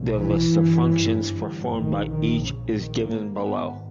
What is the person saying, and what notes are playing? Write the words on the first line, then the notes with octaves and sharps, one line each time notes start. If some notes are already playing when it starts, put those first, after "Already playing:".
The list of functions performed by each is given below.
Already playing: B1 A#2
E3
G1 G2
A#1 A#2 D#3
D#3
C#3
D#3
G#1 G#2 A#3
B3